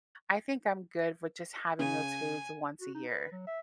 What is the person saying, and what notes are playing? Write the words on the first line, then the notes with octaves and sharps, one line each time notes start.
I think I'm good with just having those foods once a year.
C#3 G#5
F#4
D#4
B4
F#3
E5